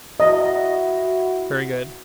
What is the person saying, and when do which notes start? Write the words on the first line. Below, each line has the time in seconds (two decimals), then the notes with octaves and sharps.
"Very good!"
0.20 E4 F#4 D#5